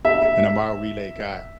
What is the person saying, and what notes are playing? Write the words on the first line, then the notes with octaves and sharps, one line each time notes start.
and I'm our relay guy.
E5